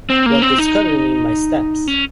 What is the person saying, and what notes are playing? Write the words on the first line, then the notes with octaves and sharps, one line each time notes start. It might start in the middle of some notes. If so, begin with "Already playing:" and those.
What did Scudder mean by steps?
C4
A#3
C4
D#4
C#4